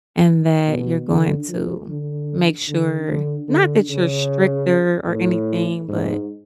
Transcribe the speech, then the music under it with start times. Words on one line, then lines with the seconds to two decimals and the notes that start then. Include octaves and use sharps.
and that you're going to make sure not that you're stricter or anything, but
0.67 B2
1.07 D3
1.48 F3
1.88 D3
2.68 D3
3.08 D3
3.48 D3
3.89 C#3
5.08 A2
5.88 G#2